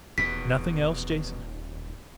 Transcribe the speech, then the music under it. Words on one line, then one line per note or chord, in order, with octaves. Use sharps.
"Nothing else, Jason?"
D#1 E2 B2 B6